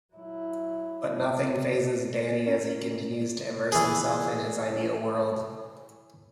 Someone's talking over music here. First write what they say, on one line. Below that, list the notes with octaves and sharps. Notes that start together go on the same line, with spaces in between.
But nothing fazes Danny as he continues to immerse himself in his ideal world.
F#3 E4
C#4 A#4
E3 G#4